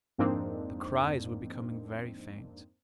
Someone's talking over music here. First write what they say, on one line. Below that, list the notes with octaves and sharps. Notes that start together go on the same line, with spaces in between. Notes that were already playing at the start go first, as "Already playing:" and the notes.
The cries were becoming very faint.
F2 G#2 A#3 C4 D4 D#4